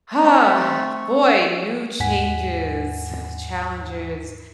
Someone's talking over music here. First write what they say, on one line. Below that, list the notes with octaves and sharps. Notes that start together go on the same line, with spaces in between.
Ah, boy, new changes, challenges,
A3 C4 C#6
D#2 G#2 F#5 G#5 B6